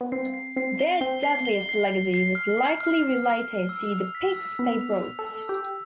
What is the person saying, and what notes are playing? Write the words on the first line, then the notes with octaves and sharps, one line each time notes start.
Their deadliest legacy was likely related to the pigs they brought.
B3
C4 C7
C7
C4 C7
G7
C4 G7
C7
G7
C7
C7
C7
F6
C7
F6
F6
F6
G7
E6
F7
B6
E6
B3 B6
F7
F7
A4
E6
G4 E6